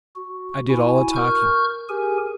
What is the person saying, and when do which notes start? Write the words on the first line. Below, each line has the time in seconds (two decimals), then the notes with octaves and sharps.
I did all the talking.
0.16 F#4
0.69 E4 F#4 G#5
1.16 A#4 C#6 F6 G6
1.89 G4 G#4 A#4 G#5